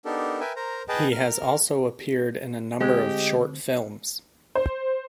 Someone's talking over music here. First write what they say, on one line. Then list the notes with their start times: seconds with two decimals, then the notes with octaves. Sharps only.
He has also appeared in a number of short films.
0.05 B3 D4 D#4 G4 A4 A#4
0.41 A#4 B4 E5 G5 G#5
0.56 A#4 C5 A#5
0.89 G#4 B4 D#5 G5 A5
1.12 A#4 F6
2.81 D2 G#3 C4 G4 D#5
4.55 C5